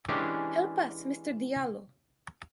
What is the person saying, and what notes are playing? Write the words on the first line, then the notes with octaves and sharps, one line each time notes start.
Help us Mister Diallo!
E3 G#3 C#4 D4 G4